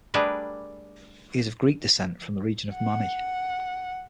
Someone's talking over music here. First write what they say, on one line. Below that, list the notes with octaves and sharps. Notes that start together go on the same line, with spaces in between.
He is of Greek descent from the region of Mani.
G3 A3 D4 G#4 A#4 B4
F#5